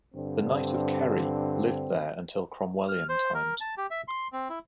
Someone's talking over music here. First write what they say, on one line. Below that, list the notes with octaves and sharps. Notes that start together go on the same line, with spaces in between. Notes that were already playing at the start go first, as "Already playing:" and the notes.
The Knight of Kerry lived there until Cromwellian times.
G2 D3 C4
F6
C5
A#4
A5
G4
E5
C6
C4
E4